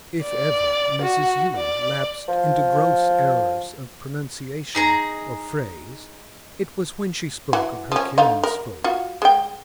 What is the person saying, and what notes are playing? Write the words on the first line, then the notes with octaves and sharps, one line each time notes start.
If ever Mrs Yule lapsed into gross errors of pronunciation or phrase, it was when she spoke of her kinsfolk.
D5
F#4
D5
F3
D#4 G#4 A#5
E3 F#4
F3 C#4
D3 D#4 F4
A#4
F4 F#4
G#3 G5